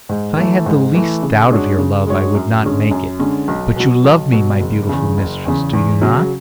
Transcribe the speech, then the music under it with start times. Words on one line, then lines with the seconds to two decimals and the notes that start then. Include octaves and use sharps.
"If I had the least doubt of your love I would not make it, but you love me, my beautiful mistress, do you not?"
0.09 G#2
0.37 E3 A3
0.66 G#2
0.94 E3 A3
1.23 C#3
1.50 G#3 D4 F#4 C#5
1.79 C#3
2.07 G#3 D4 F#4 C#5
2.35 F#2
2.63 D3 G#3 C#4
2.91 F#2
3.19 D3 G#3 C#4
3.48 B1
3.76 B2 F#3
4.04 B1
4.32 B2 F#3
4.60 F#1
4.89 E2 C#3
5.17 F#1
5.45 E2 C#3
5.73 E2
6.02 C#3 F#3